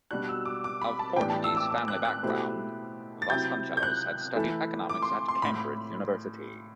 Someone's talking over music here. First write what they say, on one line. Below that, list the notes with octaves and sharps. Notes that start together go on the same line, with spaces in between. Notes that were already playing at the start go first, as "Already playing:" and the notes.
Of Portuguese family background, Vasconcellos had studied economics at Cambridge University.
B2 G3 D4 F#4 F#6
E6
D6
D6
B5
A5
A2 E3 B3 D4 G4 G5
A5
E6
D6
D6
F#6
F#6
B2 A3 E4 G4 C5
A6
C3 F#3 C4 E4 G4 G6
G6
F#6
E3 A3 E4 A4
D6
C6
C6
A2 B5